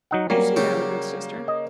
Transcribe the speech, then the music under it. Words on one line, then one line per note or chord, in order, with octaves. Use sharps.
'You seem to have a good sister.'
F#3 D#4 F#5
F#3 G3 A#3 C#4
C#3 G4
D#5